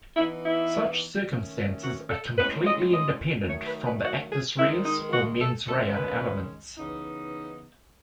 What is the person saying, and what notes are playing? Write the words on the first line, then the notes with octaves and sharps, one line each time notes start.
Such circumstances are completely independent from the "actus reus" or "mens rea" elements.
E3 B3 D#4 E4
E4
D#3 A3 C#4
F#4
A4
A2 G#3 C#4 B4
D#5
D#5
D#3 F#3 A3 D#4 C#5
B4
B4
F#4
G#4
D#3 G#3 D#4 E4
D#4
F#4
A4
D#3 G#3 C#4 A4
B4
C#3 E3 B3 D#4